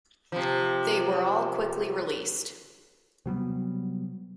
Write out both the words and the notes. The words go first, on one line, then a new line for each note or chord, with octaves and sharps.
They were all quickly released.
C3 F3
C3 F#3 G3 B3